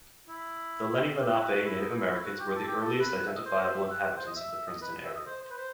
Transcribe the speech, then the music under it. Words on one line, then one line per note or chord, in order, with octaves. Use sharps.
The Lenni Lenape Native Americans were the earliest identifiable inhabitants of the Princeton area.
E4
G4
F#4
E4
F#4
E4
D#4
E4
E4
F#4
G4
A4
G4
A4
B4
F#5
E5
D#5
C5
C5
E5
F#5
C5
D#5
E5
E5
D#5
B4
E5
D#5
C5
C5
B4
C5